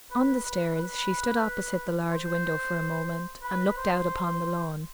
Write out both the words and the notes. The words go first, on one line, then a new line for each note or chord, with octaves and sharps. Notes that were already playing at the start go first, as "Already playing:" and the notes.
On the stairs she stood opposite the large window for a moment, and looked out upon the lawn.
B4
B4
B4
C5
B4
C5